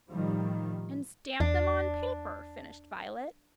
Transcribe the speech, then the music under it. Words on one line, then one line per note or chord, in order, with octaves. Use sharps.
"And stamp them on paper!" finished Violet.
A2 D#3 F3 G3
E2 D4